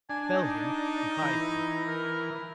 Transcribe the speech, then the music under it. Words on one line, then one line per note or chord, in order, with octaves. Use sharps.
Fell him and hide him.
D4 G#5
D#4
E3
A#4